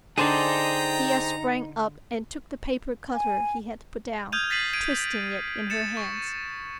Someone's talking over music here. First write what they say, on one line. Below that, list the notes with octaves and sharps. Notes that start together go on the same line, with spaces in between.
Thea sprang up and took the paper-cutter he had put down, twisting it in her hands.
D3 D#4 G#4 C5 D5 G5 A#5
G#5
D#6 F6 G6 G#6 D#7 F7
A6 B6 C7 D#7 F#7
G#6 D7 D#7
A6 C#7 E7
C#6